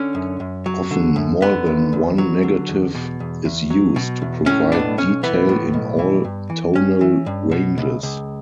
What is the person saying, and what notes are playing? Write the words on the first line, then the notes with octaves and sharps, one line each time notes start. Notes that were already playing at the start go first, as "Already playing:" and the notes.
Often more than one negative is used to provide detail in all tonal ranges.
Already playing: D3 C#4
F#2
F#2
F#3
D3
F#2
D3 B3
E2
E2
F#3
D3
E2
B2
E2
E2
F#3
B2
E2
A2 C#4
B1 B3 D4
B1 C#4
E3 B3
A2
B1
E3
G2
E3
G2 C#4
E3
G2
B2
C#2
C#2